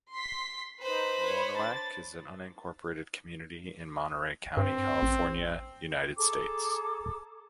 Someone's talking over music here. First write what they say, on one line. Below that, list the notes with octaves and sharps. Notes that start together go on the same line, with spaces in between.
Lonoak is an unincorporated community in Monterey County, California, United States.
C6 B6
D#4 B4 C5 B5
B4 C#5
D4 A6
G2 C4
A1
G#4 A4 A#5 D6